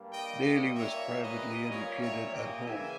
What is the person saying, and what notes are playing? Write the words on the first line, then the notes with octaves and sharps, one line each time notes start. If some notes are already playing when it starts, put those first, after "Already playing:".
Daly was privately educated at home.
Already playing: G2 G3 A#3
D#5 G5
D#5 G5
A#2 G3 A#3 C#5 E5
B4 D#5
A#2 G3 A#3 A#4 C#5
C#5 E5
D#5 G5
C#3 E3 A#3 E5 G#5